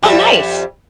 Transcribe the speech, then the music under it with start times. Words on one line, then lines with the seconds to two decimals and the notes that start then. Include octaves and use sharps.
Oh, nice.
0.03 F2 G3 E5